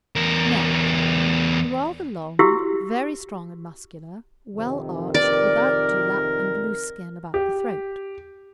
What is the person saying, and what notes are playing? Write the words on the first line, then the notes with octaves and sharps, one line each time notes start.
NECK--Rather long, very strong and muscular, well arched, without dewlap and loose skin about the throat.
E2 A#4
E4 F#4 G4 E6
F2 C3 D#3
A#4 D5
G4